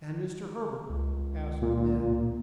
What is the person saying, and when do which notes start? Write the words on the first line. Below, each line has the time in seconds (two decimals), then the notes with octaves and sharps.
"And Mr. Herbert?" asked Neb.
0.89 C#2
1.62 A#2